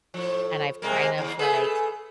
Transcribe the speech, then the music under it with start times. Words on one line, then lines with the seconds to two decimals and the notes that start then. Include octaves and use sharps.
and I've kind of like,
0.14 A2 F3
0.82 C3 G#3 A#3
1.18 D#2
1.39 A3 G#4 B4